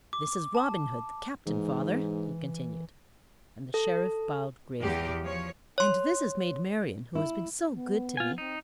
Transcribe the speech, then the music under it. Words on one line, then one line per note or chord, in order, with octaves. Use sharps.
"This is Robin Hood, the captain, father," he continued, and the Sheriff bowed gravely; "and this is Maid Marian, who has been so good to me."
D6
A5
G#2 E3
A4
E2 E3 G4
F3 C#5
C#5 C6
E4
B3
F4 G#5
C4 D#4